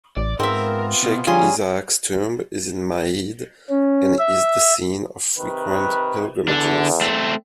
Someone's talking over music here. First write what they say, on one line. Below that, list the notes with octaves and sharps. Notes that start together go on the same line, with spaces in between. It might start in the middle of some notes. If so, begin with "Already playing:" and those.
Sheikh Isaaq's tomb is in Maydh, and is the scene of frequent pilgrimages.
A1 D5
G#2 B3 C4 F4 A#4 E5
B2 C4
D3 F3 G3 C#4 F4 G#4 C6
C#4
E5
C3 D#3 B4
E2 D3 D4
A3 C4